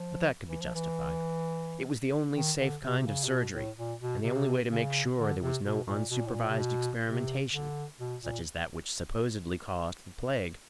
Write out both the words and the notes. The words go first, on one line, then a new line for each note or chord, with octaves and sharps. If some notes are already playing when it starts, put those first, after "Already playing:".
But that could be justified; it was the only safe kind of surgery and the only way to make sure there was no unsupervised experimentation, such as that which supposedly caused the plague.
Already playing: F3
E3
F3
E3
D#3
D3
C3
C3
C#3
C3
B2
A2
A#2
B2
C3
C#3
D3
C3
B2
A#2
B2
A#2
A2
A#2
C3
B2
C3
D3
B2
A#2